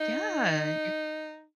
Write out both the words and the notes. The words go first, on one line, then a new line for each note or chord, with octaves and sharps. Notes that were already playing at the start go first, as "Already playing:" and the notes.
Yeah, you're
D#4